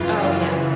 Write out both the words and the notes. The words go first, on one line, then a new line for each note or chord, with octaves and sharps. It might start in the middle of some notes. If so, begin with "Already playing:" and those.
Oh yeah.
Already playing: F#2 C#3 E3 F4